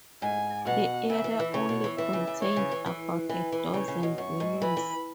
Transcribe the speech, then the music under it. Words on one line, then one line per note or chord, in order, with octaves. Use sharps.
The area only contained about a dozen dwellings.
G#2 G#5
B2 F#5
C#3 E5
E3
E3
C#3 C#5
B2
E3
E3 E5
C#3
C#3
E3 C#5
C#3
E3
E3
E3 B4
E3
C#3 C#5
C#3
B2
F#2 C#6
G#2
E3 B5
E3